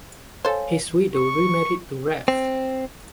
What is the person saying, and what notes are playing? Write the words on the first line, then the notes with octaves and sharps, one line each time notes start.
His widow remarried to Rev.
A4 C5 C#5 F5 G#5
C#6
C4